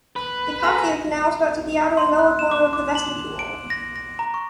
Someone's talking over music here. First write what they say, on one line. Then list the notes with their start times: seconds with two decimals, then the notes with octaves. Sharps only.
The cochlear canal starts at the outer and lower corner of the vestibule.
0.16 B4
0.63 G#4 A4 A#5
1.97 C6
2.19 F#6
2.39 E7
2.51 D6
2.73 D6
2.95 F#7
3.39 D7
3.70 A#6
3.96 A#6
4.19 A#5
4.34 C#6